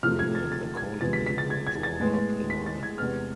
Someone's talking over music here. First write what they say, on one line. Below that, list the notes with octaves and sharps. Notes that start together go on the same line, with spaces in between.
The men, accordingly, were drawn up in line.
C3 F3 A3 F6
G#6
A6
A6
G#6
C3 F3 G#3 B3 A6
B6
B6
A6
G#6
G#6
A6
A2 G#3 B3
B6
A6
G#6
E2 C3 G#3 B3 F6